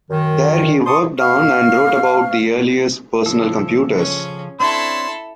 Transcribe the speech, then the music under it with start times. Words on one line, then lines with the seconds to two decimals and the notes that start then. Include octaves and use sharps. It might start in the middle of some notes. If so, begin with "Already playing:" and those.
There he worked on and wrote about the earliest personal computers.
0.10 F#2 D#3
0.86 A5 C6 C#6 D#6
1.19 F5 C#6 F6
3.26 C#3 F3 A4
3.98 C#4
4.60 C4 D4 E4 A4 C#5 C6